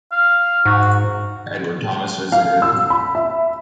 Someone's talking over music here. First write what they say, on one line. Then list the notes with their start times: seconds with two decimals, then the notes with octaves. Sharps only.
Edward Thomas visited.
0.12 F5
0.66 G#2 F#4
2.32 F5
2.62 E6
2.90 B5
3.15 E5